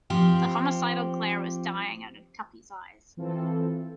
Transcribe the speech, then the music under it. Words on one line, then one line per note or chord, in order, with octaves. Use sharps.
The homicidal glare was dying out of Tuppy's eyes.
F3 C4 G4
E3 C4 F4 A4